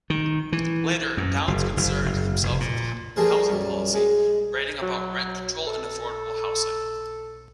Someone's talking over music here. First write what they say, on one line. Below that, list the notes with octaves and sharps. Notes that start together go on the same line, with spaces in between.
Later, Downs concerned himself with housing policy, writing about rent control and affordable housing.
D#3
E3
F#2
F#1
F#1
F#1
F1
A#2
F3 G3 A3 G#4 A#4 C5
F#2 G3
G#3
F#3
A4